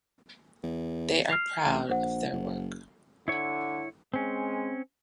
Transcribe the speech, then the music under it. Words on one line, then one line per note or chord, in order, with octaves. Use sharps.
They are proud of their work.
E2
F6 C7 F7
A1
A#1 C5 F#5
F#1
D3 E4 C#5
G#3 C4 C#4